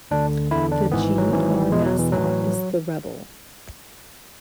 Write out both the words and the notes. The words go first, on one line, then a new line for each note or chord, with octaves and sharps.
The G-R mascot is the Rebel.
D2 D3 D4
E2 D3 E4
D4
G#1 G#2 E3 B3
F#3
G#1 G#2 E3
E2 B2 G#3
F#3
E3
A2 E3 F#3